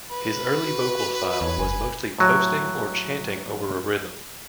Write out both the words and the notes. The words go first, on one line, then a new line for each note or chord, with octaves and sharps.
His early vocal style was mostly toasting or chanting over a rhythm.
B4
F#4
E2 C#5
F#1 G#5
A2 F#3